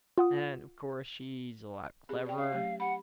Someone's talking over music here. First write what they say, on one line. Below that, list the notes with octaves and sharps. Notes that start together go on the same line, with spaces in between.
And, of course, she's a lot cleverer.
F4 F#5 D#6
C4 G4 G#4
D5 G5
C#4 C#5 E5 F5
F#3 A3 G4
G4 F#5 B5